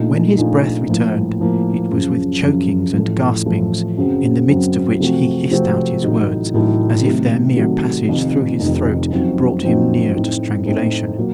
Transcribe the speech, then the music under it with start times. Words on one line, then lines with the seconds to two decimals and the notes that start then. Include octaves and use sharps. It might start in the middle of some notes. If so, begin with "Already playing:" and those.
When his breath returned, it was with chokings and gaspings, in the midst of which he hissed out his words, as if their mere passage through his throat brought him near to strangulation.
Already playing: A#1 A#2 A3 D#4
0.36 A#1 A#2 A3 D#4
0.88 A2 F3 A#3
1.39 A2 F3 A#3
1.91 F#2 C#3 F3
2.42 F#2 C#3 F3
2.93 A1 A2 F3 A3
3.45 A1 A2 F3 A3
3.97 F#2 C#3 F#3 C4
4.48 F#2 C#3 F#3 C4
5.00 C3 F3 A3 C4 F#4
5.51 C3 F3 A3 C4 F#4
6.02 A1 A2 F#3 A3 D#4
6.53 A1 A2 F#3 A3 D#4
7.06 C3 D#3 F#3 A3
7.56 C3 D#3 F#3 A3
8.08 F1 F2 D#3
8.59 F1 F2 D#3
9.11 F#2 F3 C4 D#4 F#4
9.63 F#2 F3 C4 D#4 F#4
10.14 A2 A3 C4 D#4
10.65 A2 A3 C4 D#4
11.17 A#2 F#3 A#3